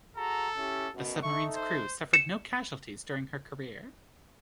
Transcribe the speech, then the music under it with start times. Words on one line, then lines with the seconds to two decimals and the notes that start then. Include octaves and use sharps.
The submarine's crew suffered no casualties during her career.
0.17 F#4 G#4 A4 A#5
0.57 C#4 E4 G4
0.93 F#2 B2
1.23 D#4 A4 E5 C#6
1.55 C5
2.13 C#7 E7